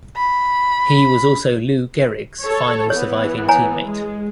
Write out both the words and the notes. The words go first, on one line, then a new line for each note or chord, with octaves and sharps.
He was also Lou Gehrig's final surviving teammate.
B5
A4 C#5
E3 B3 C#5
C#5 G#5 A#5
G#3